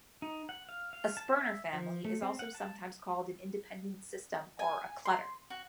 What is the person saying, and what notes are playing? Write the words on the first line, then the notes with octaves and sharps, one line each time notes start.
A Sperner family is also sometimes called an independent system or a clutter.
D#4
F#5
F5
F5
A5
E5
F3
A3
C4
F#5
A5
G#5
C6
F#4